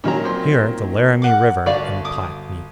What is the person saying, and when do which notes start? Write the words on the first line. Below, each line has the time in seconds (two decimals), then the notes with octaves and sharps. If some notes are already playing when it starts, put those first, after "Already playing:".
Here the Laramie River and the Platte meet.
0.04 A#2 D#3 F#3 C#4 A#5
0.24 G#3 C4 F4
1.22 A#4 F#5 D6
1.66 G1 F#4 D5 F5
2.05 D6 D#6